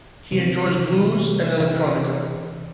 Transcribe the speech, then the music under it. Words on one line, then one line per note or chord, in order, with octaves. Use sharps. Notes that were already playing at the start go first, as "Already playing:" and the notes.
He enjoys blues and electronica.
C3 E3